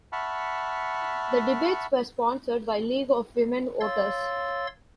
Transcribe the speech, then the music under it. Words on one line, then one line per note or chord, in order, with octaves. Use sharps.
The debates were sponsored by League of Women Voters.
E5 F#5 A5 B5 C#6 F6
C#5 F5 C6 E6 A6